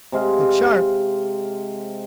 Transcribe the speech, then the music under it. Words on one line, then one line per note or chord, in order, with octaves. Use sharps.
Look sharp!
C3 G#3 F5